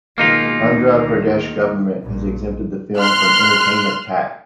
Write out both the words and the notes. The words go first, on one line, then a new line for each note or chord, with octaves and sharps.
Andhra Pradesh government has exempted the film from entertainment tax.
B2 D#3 G#3 A#3 D#4 F4
D2 D#3
A#1 G2 A#2
C6 F6 F#6